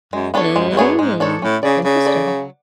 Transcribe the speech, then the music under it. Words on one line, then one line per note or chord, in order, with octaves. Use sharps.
Mm. Interesting.
F#2 G#3
B3 D4 A4 C#5
F#2 G#3
E2
F#2 B3 D4 G#4 C#5
G#2 G#3
G#2 D4 A4 C#5
A2 C#4
C#3 G#4 D5
C#3 D4
A4 D5
F#3